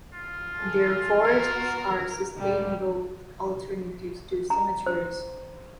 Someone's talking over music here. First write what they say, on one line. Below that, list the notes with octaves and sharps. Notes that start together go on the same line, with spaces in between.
Their forests are sustainable alternatives to cemeteries.
F4
G#4 A4
B3 F#4 A#4
D2 A#2 D3 G3
A#5
C5